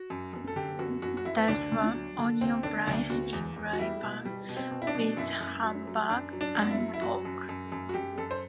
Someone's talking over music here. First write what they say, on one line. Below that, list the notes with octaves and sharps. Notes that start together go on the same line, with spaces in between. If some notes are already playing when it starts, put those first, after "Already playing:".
Dice one onion -place in fry pan with Hamburg and pork.
Already playing: F#4
F#2
F#2
A4
D3 G4
F#2 F#4
F#2 F#4
F#4
F#2 E4
D2 D4
D2
F#3
D3
D2 C4
D3 D4
D2 D4
D2 F#4
E2
E2
F#4
G3 E4
B2
G3
B2
C4
B2
E4
D4
B2
F#2 E4
F#2
F#3
F#3
F#2 D4
F#3
D4
F#2
E4
F#3
E4
F#2 F#4
F#2
F#2
F#2
F#4
F#2 G4
F#2 A4
C5